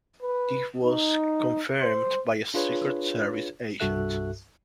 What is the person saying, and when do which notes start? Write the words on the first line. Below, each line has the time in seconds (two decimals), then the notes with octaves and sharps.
This was confirmed by a Secret Service agent.
0.22 B4
0.83 D#4
1.80 C5
2.54 D4 F4 G#4 B4 C#5
3.80 C2 G2 F#4 A4 E5 F#6